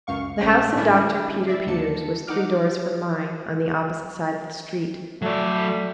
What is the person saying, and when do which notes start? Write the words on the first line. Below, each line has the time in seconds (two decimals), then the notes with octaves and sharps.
The house of Dr. Peter Peters was three doors from mine, on the opposite side of the street.
0.07 C#2 F#2 F5 C#6
0.40 A#1 C#4 G#4 C5 G5 A#6
0.76 A2 D3 C#4 D4 E4 E5
1.47 D5 E5
1.67 D#2 D3 A5 C#7
2.27 D#4 F#5 D6 F6
5.22 F#3 A3 D5